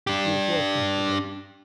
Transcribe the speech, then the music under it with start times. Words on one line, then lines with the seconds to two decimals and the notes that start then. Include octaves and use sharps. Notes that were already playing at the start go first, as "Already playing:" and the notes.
He is welcome to them.
0.07 D4 G4